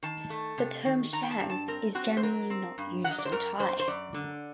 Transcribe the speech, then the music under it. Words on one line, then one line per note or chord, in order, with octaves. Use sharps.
The term Shan is generally not used in Thai.
D#3 A5
A3
C3
D#3
D#3 A#5
G5
A5
G2
A5
C4 A#4
C4 F#4
C5
F#3 A#4
C4
G2
F#3 F#5
D#5
D5
C5
F#2 A#4
F#2 C5
C5
F#2 D5
D3